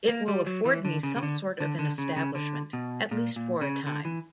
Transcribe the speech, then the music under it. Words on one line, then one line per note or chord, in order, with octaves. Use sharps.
It will afford me some sort of an establishment, at least for a time.
A#3
G3
F#3
E3
D3
C#3
C#3
D3
D3
D3
C#3
C#3
D3
B2
A#2
A#2
C#3
D3
E3